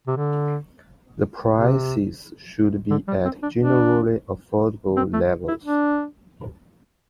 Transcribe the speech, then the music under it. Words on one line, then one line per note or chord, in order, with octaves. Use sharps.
The prices should be at generally affordable levels.
C3
D3
C3
D3
G3
C4
D4
D4
C4
A3
E4
D4